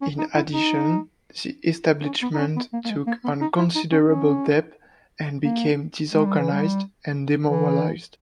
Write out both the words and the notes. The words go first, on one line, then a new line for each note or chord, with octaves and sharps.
In addition, the establishment took on considerable debt and became disorganized and demoralized.
C#4
D#4
E4
D#4
C#4
B3
D#4
C#4
B3
A#3
A#3
G#3
A#3
B3
D#4
E4
D#4
C#4
C#4
A#3
G#3
G3
E3
G3
E3